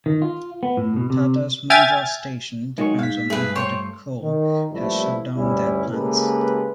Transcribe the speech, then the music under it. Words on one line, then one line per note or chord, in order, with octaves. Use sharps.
Tata’s Mundra station depends on imported coal has shutdown their plants.
D#3
F4
B3
A2
B2
C3
E5 G5 G#5 F6 G#6 A6
D#3 F#3 G#3 C#6
G#2 F5 B6
G2 A3 G#4 B4
C5 C#5 G5 C#6
D#3
A1 A#2 F3 G3 A3 E4
D2 G2 G3 C#4 E4
C#3 G#3 A#3 G4 A4 B4